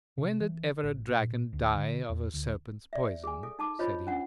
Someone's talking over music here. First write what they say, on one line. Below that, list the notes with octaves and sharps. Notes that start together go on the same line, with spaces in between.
"When did ever a dragon die of a serpent's poison?"--said he.
C3
E3
A1
A#2
D2
D3
E2
D2
D5 E5
G#4 G#5
A4
D#4 A5 D6
F4 C5 C#5 D#5 B5
C#4 D4 F#5